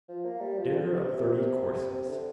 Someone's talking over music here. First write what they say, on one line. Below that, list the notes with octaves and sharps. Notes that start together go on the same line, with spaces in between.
Dinner of thirty courses.
F3
A#3
G3
F3
D3
C3
C3
A#2
C3
C3
D3